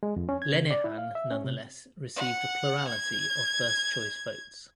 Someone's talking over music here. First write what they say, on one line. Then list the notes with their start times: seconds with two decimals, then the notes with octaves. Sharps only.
Lenihan nonetheless received a plurality of first-choice votes.
0.03 G#3
0.16 F2
0.29 C#4
0.42 G#6
0.54 C#3
0.71 D5
0.84 E4
0.98 F5
1.15 E5
1.31 C#4
1.45 C3
2.16 F#5
2.88 G#6